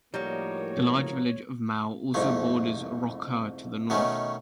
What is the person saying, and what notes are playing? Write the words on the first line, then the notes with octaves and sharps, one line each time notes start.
The large village of Mau also borders Rokha to the north.
A2 F3 G3 A#3 D#4 F#4 C#5
C2 F2 G#2 A3
B2 D#3 A3 C#4